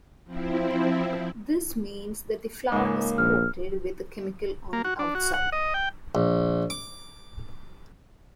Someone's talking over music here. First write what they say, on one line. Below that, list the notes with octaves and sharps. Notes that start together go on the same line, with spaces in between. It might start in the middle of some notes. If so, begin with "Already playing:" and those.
This means that the flower is coated with a chemical on the outside.
F3 C4 E4
C#2 G#2 A#3
A#1 F6
A#3
F#4
D4
F#4
F#5
D#5
G5
A#1
D6